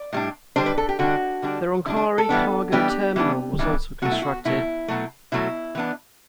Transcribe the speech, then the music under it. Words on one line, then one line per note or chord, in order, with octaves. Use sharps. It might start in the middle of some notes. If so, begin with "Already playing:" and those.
The Roncari cargo terminal was also constructed.
Already playing: D5
A2 G3 D4
D3 G3 D4 C5
B4
A4
G4
D3 G3 D4 F#4
D3 G3 D4
D3 G3 D4 E4
D4
A4
E3 G3 B3 D4
E3 G3 B3 D4 G4
E3 G3 B3 D4
E3 G3 B3 D4
B2 F#3 A3 F#4
E4
F#4
B2 F#3 A3 E4
B2 F#3 A3
B2 F#3 A3 E4
E3 B3 D4